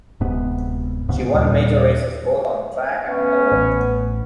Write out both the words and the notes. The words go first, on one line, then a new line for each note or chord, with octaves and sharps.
She won major races both on the track, and on the road.
D1 G#2 C3 B3
C#2 G#2 C#3 B3
D#2 A#2 G3
B3 C#4
A1